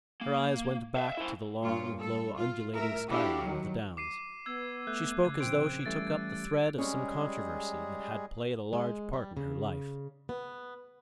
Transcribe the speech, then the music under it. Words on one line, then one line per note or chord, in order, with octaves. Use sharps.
Her eyes went back to the long, low, undulating skyline of the downs. She spoke as though she took up the thread of some controversy that had played a large part in her life.
A#3
E5 F5
E4 C5
G2 A#2 F4 C#5
A4
F4
A2 A#4 E5
D4 E4 F#4 G4 A4 F5
D#3 F#3
D6 C7 D#7
B3 E6 G#6
A3 F#6 G6
C#3 G#6
A#1 C4 C5 D7
E3 G3 A3 C#4 A6 D7
G3 G#3 C#4 G#4
G#3
G3
C#3
B3